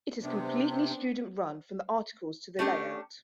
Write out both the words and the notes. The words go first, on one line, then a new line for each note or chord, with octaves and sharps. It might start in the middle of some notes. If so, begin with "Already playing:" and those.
It is completely student-run, from the articles to the layout.
C3 B3 C4 D4
A3 C#4 D4 G4